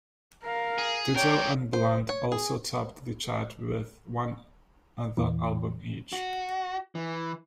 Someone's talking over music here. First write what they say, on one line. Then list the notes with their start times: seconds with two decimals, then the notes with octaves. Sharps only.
Dido and Blunt also topped the chart with one other album each.
0.43 A#4 F5
0.78 G#4
1.15 A#4 C#5 D5 G5
1.73 C5
2.09 C#5
2.32 G#4
5.17 E2 A#2 E3
6.13 F#4
6.95 E3